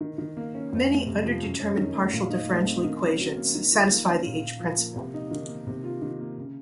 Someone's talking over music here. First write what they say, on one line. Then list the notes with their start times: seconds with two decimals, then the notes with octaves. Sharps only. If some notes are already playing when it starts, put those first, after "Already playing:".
Many underdetermined partial differential equations satisfy the h-principle.
0.01 D#3
0.18 D#3
0.37 A#3
0.55 C#4
0.72 F2
0.90 A3
1.07 C3
1.25 F3
1.43 F#2
1.60 C#4
1.78 D#3
1.95 A3
2.13 A#2
2.30 D#4
2.49 A3
2.66 C4
2.84 D#3
3.01 C#4
3.20 F#3
3.36 A#3
3.55 D#3
3.72 F4
3.90 A#3
4.08 C#4
4.26 A#2
4.42 A#2
4.60 F3
4.78 A#3
4.96 C3
5.14 D#4
5.31 D#3
5.49 A#3
5.67 C3
5.84 F4
6.02 D#3
6.20 A#3
6.38 C#3